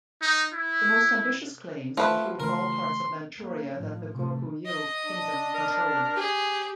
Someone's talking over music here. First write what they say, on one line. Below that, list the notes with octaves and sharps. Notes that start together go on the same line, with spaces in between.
The most ambitious claims include all parts of Manchuria that the Goguryeo kingdom controlled.
D#4
E4
F3 A3 B4 F#5
C#3 E3 A3 A#4 C6
A#3
A2 F3
C3 A3
D#5
D4
A#4
G4 G#4